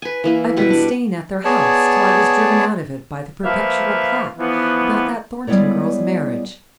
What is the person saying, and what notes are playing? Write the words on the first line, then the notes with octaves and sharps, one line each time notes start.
I've been staying at their house till I was driven out of it by the perpetual clack about that Thornton girl's marriage.
B4 G#5
E3 A#3 E4
B2 G3 B4
D4
B3 G#4 C#5 D5 A5
F3 A#3 B4 E5 F5
E3 F3 B3
G3 G#3 B3 E4 C#5 D5